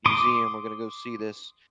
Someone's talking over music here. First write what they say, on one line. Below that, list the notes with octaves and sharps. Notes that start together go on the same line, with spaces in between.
museum, we're gonna go see this,
C6 D6 D#6